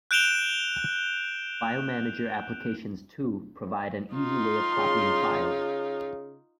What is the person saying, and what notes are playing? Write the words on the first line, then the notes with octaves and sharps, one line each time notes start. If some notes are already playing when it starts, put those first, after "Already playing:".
File manager applications, too, provide an easy way of copying files.
F#6 G6 D7 E7 F7 G7
D#4 F4 C6
C#3